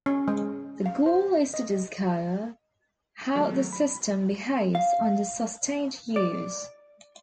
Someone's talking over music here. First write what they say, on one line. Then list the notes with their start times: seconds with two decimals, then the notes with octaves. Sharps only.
The goal is to discover how the system behaves under sustained use.
0.06 C#4
0.28 G#3
0.86 F5
1.06 C5
1.54 D#5
3.35 D#3 F#3 G#3 A3
3.73 B5
4.75 F5
6.16 D5